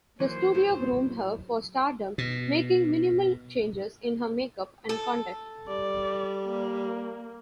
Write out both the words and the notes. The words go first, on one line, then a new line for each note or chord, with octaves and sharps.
The studio groomed her for stardom, making minimal changes in her makeup and conduct.
E3 F#3 A#3 C5
A2 F#3
B2
A4
G3 D5
A#3